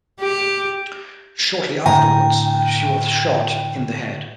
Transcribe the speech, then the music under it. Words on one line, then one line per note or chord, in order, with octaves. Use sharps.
Shortly afterwards, she was shot in the head.
G4
A2 D3 G5 G#5 A#5